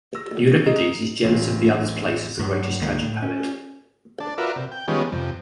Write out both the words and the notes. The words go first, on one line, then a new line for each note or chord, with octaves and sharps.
Euripides is jealous of the other's place as the greatest tragic poet.
E6 A#6
D#4 D#5
D1 A1 F4
G2 F#3
C#2 D3 G#3 A#3
A2
C#4
D4 A5
F4 F#4 A#4 B4 D5 E5
C3
G5
D#3 F3 G3 G#3 B3 C#4
F2 C3